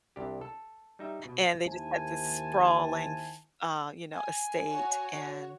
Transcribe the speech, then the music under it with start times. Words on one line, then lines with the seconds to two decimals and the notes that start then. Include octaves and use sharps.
and they just had this sprawling f uh, you know, estate, and,
0.16 C2 D4 G4
0.41 A4
0.99 G3 D#4 E5
1.25 B2
1.64 D#2 D#3 E4 C5 G#5 A5
4.13 G#5
4.68 F#4 C#5